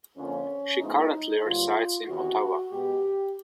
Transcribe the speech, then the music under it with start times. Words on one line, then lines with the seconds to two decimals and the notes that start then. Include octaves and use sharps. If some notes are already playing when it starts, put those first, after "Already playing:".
She currently resides in Ottawa.
0.17 F2 D3 F3 A#3 C#4
0.80 A2 F3 G#3 B3 D#4
1.44 G2 D3 F#3 A#3 F4
2.07 E2 C3 D#3 F#4
2.70 B2 G#3 B3 G4